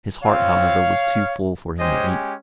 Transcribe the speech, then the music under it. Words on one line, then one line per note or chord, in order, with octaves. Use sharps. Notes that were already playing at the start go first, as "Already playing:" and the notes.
His heart, however, was too full for him to eat.
C4 F4 C#5 F5
G#3 C#4 G4 C5 D#5